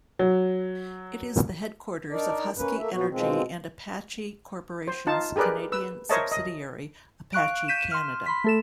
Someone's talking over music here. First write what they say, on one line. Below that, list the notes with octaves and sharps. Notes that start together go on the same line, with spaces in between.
It is the headquarters of Husky Energy and Apache Corporation's Canadian subsidiary, Apache Canada.
F#3
D4 D#4 A#4 D5
A#3 C#4 B4
A3 A#3 E5
A#2 F#3 B3 F#4
B2 D#3 F3 G#3 C4
C5
D#4 F4 A5
G4 G#4 A#4 B4 D5
B4 E6
A#4 C5 C#5 D#5 E5 A5
D#5
F5 C#6 F#6 D7
G6 B6 D#7 E7
C6 F6
B5 C6 B6
A3 A4 E7